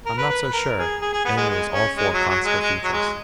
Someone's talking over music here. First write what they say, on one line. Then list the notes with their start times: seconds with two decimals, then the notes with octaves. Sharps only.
"I'm not so sure." Amory was all for classical features.
0.06 A#4
0.18 B4
0.29 B4
0.41 B4
0.53 A#4
0.78 G#4
1.01 G#4
1.13 G#4
1.25 B3
1.37 G#3
1.49 G#3
1.73 C#4
1.97 G#3
2.13 F#3
2.29 F#3
2.45 G#3
2.61 G#3
2.84 F#3
2.93 G#3